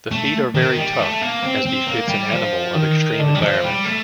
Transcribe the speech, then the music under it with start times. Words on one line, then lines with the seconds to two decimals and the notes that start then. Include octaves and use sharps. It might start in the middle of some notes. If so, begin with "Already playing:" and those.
The feet are very tough, as befits an animal of extreme environments.
0.11 A3
0.55 D#3
0.77 G3
0.99 A3
1.21 A#3
1.43 C4
1.66 C4
1.87 A#3
2.08 G3
2.32 F3
2.75 D#3
3.19 D3
3.35 G3
3.41 F3
3.63 G3
3.85 A3